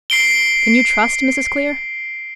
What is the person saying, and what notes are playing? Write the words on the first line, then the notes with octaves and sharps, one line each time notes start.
"Can you trust Mrs. Clear?"
C7 D7 G7